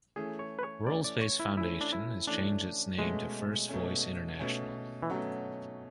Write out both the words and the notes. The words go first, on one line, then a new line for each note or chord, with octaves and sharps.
WorldSpace Foundation has changed its name to First Voice International.
E3 A3 C#4 G#4
C#5
B4
C#5
E3 A3 C#4 D5
D5
C#5
E4
E3 A3 C#4 E4
D4
E4
E3 A3 C#4 D4
B2 G#3 A3 C#4
B2 A3 C#4
B2 A3 C#4
E3
B2 F#3 A3 C#4